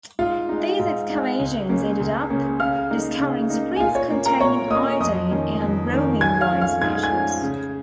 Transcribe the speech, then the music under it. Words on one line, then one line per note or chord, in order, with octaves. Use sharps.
These excavations ended up discovering springs containing iodine and bromine brine solutions.
G#2 F4 F5
G#3 D#4
G#2
G#3 D#4
C#2
C#3 A#3 C#4
C#2
C#3 A#3 C#4
C#3 F5 F6
A#3 D#4
C#3
A#3 D#4
G#5
A#2 F4 F5
C#5
A#3 C#4
A#4 A#5
A#2 C#5 C#6
A#3 C#4 D#5 D#6
F2 D#5 D#6
D#3 A#3 C#4
F2
D#3 A#3 C#4
G#2 G#5 G#6
F5 F6
F3 C#4
F5 F6
G#2 G#6
G#5 G#6
F3 C#4
C#3